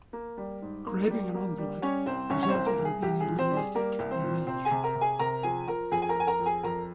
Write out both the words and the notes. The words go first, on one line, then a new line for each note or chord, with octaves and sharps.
Grabbing an envelope resulted in being eliminated from the match.
A#3
G3
G#2
A#3
G3
A#3
G3
G3 C#4 C#5
C2 C4 C5
C2 C#4 C#5
C#5
C4 C5
C2
A#3 A#4
C2
G#4
C2 G4
G#4
A#2
C4 C5
G3
G#4
G3 A#3 A#4
C2
C4 C5
A#2
C3 C4 C5
G#4 G#5
C3
A#4 A#5
C3
G#4 G#5
C3 A#4 A#5
F3 G#4 G#5
F3 A#4 A#5
F2 G#4 G#5
G#5
A#4 A#5
F2 G#5
A#4 A#5
F2
G#4 G#5
F2 A#4 A#5